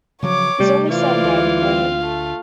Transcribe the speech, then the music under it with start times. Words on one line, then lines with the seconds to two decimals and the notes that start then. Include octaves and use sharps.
His only son died in boyhood.
0.23 C#3 F3 F#3 C#5 D6
0.60 C3 G3 A3
0.89 E3 F4 C5 D5 F5
1.24 D2
1.60 C4
2.02 A3